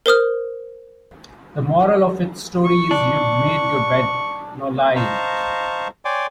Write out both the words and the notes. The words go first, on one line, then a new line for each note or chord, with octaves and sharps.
The moral of its story is you've made your bed, now lie in it.
A#4 C5 D#6 F6
C#6
D4
A#3
C5 D#5 F5 A5 A#5 C#6
C#5 D5 G5 G#5 C6 D6